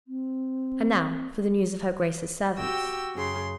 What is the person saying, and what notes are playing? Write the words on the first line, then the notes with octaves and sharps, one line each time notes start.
"And now for the news of her Grace's servants."
C4
F#4 G4 G5 E6
F#2 C#3 C6